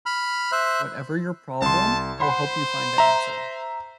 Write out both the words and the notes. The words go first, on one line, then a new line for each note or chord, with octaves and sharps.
Whatever your problem, he'll help you find the answer.
B5 F6
C5 E5 F#6
C2 A5 C6
C5 F#5 B5 C6
E5 A#5